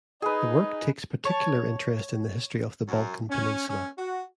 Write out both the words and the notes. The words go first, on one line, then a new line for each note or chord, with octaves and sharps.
The work takes particular interest in the history of the Balkan peninsula.
D#4 G#4 B4
C#5 A5
F#2
C#4
C#4
F#4